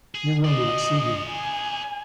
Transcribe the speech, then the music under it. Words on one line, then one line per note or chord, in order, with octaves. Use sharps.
You will not see him.
G#4
G#4 D5 D#5
G#5